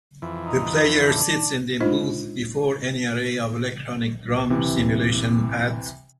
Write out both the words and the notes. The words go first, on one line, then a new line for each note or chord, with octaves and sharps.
The player sits in a booth before an array of electronic drum simulation pads.
F2 E3
D#4
D4
G#3 D4 D#4 F4 C5 D#5
C3 E3